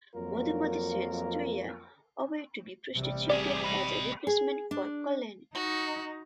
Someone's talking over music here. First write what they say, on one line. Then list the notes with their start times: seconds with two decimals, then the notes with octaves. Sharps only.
Madhumati sends Chuyia away to be prostituted as a replacement for Kalyani.
0.14 F2 F#3 A#3 F4 A#4
2.95 A1 C3 G3
3.30 G4 G#4 D5
3.65 D#5 B5
4.27 G#4
4.71 D4
5.55 D#4 F#4